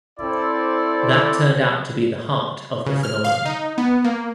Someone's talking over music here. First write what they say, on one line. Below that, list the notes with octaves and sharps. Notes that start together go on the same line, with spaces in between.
That turned out to be the heart of the phenomenon.
C4 E4 A4 C5 D5
C#3
F6
F5
D#4
B3
A#3